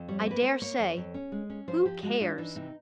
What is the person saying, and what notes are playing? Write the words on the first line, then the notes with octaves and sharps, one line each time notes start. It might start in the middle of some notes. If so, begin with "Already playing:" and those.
I dare say. Who cares?
Already playing: F2
G3 C#5
C5
A#3 B4
A#3 C5
A#3 C#5
F2
F2
C#4
G#3
C#4
F3 C5
F3 G4
G#3 F#4
D4 F4
E3 D#4
C3 D#4